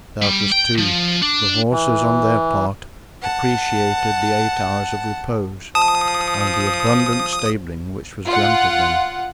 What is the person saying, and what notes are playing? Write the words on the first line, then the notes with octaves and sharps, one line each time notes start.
Doubtless, too, the horses on their part appreciated the eight hours of repose and the abundant stabling which was granted them.
G3
G5
F3
D4
E3
F#5 A5
F3 A5 D#6
F4 F#5